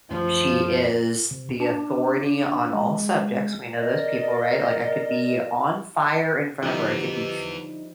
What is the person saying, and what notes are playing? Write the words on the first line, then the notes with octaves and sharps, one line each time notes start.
She is the authority on all subjects. We know those people, right? Like I could be on fire in front of her. I could be
F#2 F3 A3 C#4
C3
D4
G#3
A#4 D5 D#5
D3 E3 F3 G3 B3 D#4 E4 G4